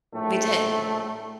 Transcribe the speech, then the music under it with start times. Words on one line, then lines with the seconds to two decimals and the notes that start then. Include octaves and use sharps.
We did.
0.14 A#1 A2 A3